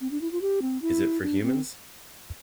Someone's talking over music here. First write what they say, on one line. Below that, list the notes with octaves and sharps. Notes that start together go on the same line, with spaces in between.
Is it for humans?
C4
D4
E4
F4
G4
C4
E4
D4
C4